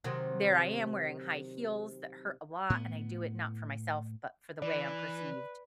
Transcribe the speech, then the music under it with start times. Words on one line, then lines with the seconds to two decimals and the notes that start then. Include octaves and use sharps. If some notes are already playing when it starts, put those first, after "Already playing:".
there I am wearing high heels that hurt a lot and I do it not for myself, but for the way I'm perceived
0.04 C3 D#3 F#3
2.70 A2 B3
4.62 E3 B4 D5